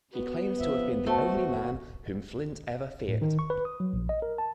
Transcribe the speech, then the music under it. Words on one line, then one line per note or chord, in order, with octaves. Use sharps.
He claims to have been the only man whom Flint ever feared.
B3 F#4
F3 E5
A3 F#4 C5
A2
D#3
C#6
B4
D#6
F#3
A#1
D#5
A#4
A5